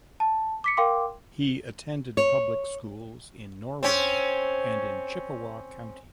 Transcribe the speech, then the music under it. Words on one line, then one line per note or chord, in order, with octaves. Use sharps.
He attended public schools in Norway and in Chippewa County.
A5
D6 B6 C#7
A#4 F5 G5 C6 D6
C#5
C4 C#4